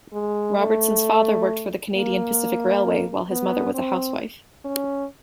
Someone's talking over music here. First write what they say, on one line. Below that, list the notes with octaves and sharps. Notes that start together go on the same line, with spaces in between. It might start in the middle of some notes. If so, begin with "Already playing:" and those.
Robertson's father worked for the Canadian Pacific Railway, while his mother was a housewife.
G#3
A3
A#3
B3
C4
C#4